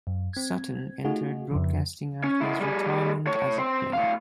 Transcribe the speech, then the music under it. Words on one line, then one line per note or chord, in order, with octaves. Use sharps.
Sutton entered broadcasting after his retirement as a player.
F#2
C4 G#6
A3 D#4 F4 F#4 G#4
F2 C#3 F3
C#4
G#3 E4
G3 G#4
A2 C#5
C4 C5
A2 F5